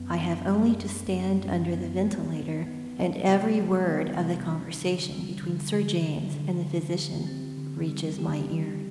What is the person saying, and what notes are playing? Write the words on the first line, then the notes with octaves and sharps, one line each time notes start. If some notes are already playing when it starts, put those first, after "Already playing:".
I have only to stand under the ventilator, and every word of the conversation between Sir James and the physician reaches my ears.
Already playing: F#2 B3
D4
F#2
D4
F#2
F#2
B3
B3
B3
B3
G3
C3
G3
B3
C3
D4
D3
G3
D3
D3
D3
D3
D3
G4
C4
D3
G3
G4
G3